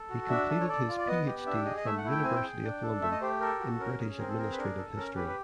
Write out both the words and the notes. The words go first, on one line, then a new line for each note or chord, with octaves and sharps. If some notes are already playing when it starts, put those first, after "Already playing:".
He completed his PhD from University of London in British Administrative History.
Already playing: A4
F#4
D4 E5
A4
C#5
A4 D5
F4
D5
B3 D#5
G4
D4 E5
G#4 D#5
D#5
A3 E5
F#5
E4
G5
C4 G#5
G5
G#4
D4
A4
A3 E5
D#5
G4 C5
A4 A#4
F#4
C#4 A#4
G#4
C4 A#4
A4
G#4 A#4
B4
D4 A#4
A4
C#4 A#4
G4 B4
B4